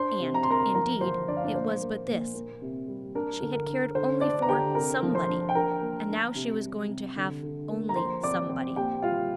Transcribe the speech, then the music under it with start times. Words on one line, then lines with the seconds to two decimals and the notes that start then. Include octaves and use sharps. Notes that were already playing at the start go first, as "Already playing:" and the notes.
And, indeed, it was but this: she had cared only for Somebody, and now she was going to have only Somebody.
Already playing: D4 C5 C6
0.20 C3
0.34 A#5
0.43 C6
0.48 C3 A#4 A#5
0.74 F3 A#4 A#5
1.01 F3 C5 C6
1.28 D4 D5
1.37 F5
1.44 D4 D5
1.54 A#2 C5
1.82 A#3
2.07 A#2
2.34 A#3
2.62 C3
2.88 G3
3.15 D4 A#4
3.42 D3
3.55 A#4
3.69 D3
3.95 D3 C5
4.21 D3 D4 D5
4.42 A#5
4.49 D3 G4 G5
4.75 C3 A#4 A#5
5.03 F3
5.15 C5 C6
5.28 D4
5.49 G5
5.55 D4 A#4 A#5
5.82 A#3
6.09 D4
6.35 C3
6.63 G3
6.89 C3
7.16 D3
7.43 D3
7.70 A#3
7.89 A#5
7.96 F3 C5 C6
8.22 C4 D5 D6
8.49 C4
8.76 A#2 G4 G5
9.02 G3 F4 F5